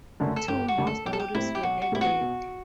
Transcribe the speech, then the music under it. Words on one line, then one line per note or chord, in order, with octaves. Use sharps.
Two more stories were added.
F#2 D3 A3
A4
G1 G4
F#4
F#2 D3 A3
A4
B1 G4
A4
G4
A2 G3 C4 E4 G4
G4
B1 F#4
F#4
A2 G3 C4 E4 G4
F#4
B2